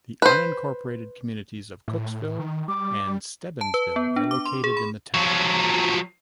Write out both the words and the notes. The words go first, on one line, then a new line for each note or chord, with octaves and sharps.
The unincorporated communities of Cooksville and Stebbinsville are located in the town.
B4 C5
A2
D#3
G3 D6
A5
B4
B3
D4
D6
C6
G#4
B5
F3 F#3